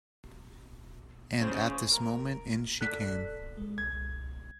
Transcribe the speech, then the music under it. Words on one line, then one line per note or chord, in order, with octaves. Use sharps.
And at this moment in she came.
C#3 C5
A#4
A4 D5 F#6 B6
G#3 A4
C2 G#6